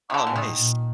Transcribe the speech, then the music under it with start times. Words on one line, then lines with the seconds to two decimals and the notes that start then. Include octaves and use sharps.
Oh, nice.
0.10 D#3
0.14 D3
0.27 A2 E3
0.36 D#3
0.57 A#2